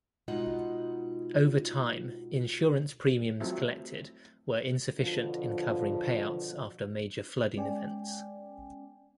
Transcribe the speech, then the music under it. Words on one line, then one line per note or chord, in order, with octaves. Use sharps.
Over time, insurance premiums collected were insufficient in covering payouts after major flooding events.
B2 G#3 D#4 F4 D#5 F#5
F3 F#3 A3 C4 E4
B2 D3 F3
G#3 B3 C#4 D5 G5 G#5